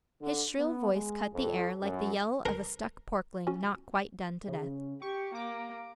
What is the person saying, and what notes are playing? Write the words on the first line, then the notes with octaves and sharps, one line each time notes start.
His shrill voice cut the air like the yell of a stuck porkling not quite done to death.
D3
B3
G#3
F2
F#2
A#4
C#4 F#4
C#3
G4 C#6
A#3 D6